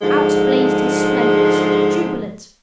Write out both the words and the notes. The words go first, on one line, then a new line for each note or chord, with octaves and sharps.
Out blazed his splendors--jubilant.
G#2 D3 F3 G#3